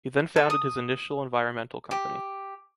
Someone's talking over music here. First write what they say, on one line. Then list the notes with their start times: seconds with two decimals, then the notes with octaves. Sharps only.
He then founded his initial environmental company.
0.36 A4
0.50 D#6
1.91 G4